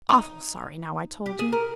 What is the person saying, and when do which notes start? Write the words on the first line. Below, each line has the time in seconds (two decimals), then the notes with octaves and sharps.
Awful sorry now I told you.
0.09 D#4
1.26 G4
1.39 G#4
1.53 A#4